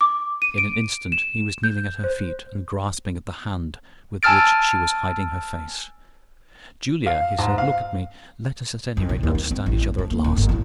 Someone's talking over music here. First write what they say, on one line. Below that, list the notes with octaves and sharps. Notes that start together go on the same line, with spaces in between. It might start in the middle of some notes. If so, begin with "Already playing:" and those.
In an instant he was kneeling at her feet, and grasping at the hand with which she was hiding her face. "Julia," he said, "look at me; let us at any rate understand each other at last."
D6
D#7
D7
E7
G6
C5
G#5 A5 E6 F6 A6 D7
F5
G#2
F5
F2
B1
D#2
C4
C4
A1
E2
F3
A#3
D#1
G1
A1